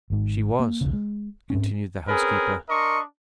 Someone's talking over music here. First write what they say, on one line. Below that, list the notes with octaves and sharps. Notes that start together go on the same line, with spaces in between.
'She was,' continued the housekeeper.
G#1 G#2
A#3
B1 E2 C#3
G#3
G#2 C4 C#4
C4 C#4 G#4 A#4 B4
D4 A#4 D#5 C6 C#6